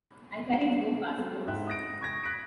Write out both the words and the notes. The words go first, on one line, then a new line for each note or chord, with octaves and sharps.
I carried no passports.
F#3 G#3 C4 A4
G#2 E4 E5 G5 F#6
D#6 F#6 A#6 D7
C#6 G#6 A#6
F#6 B6 D7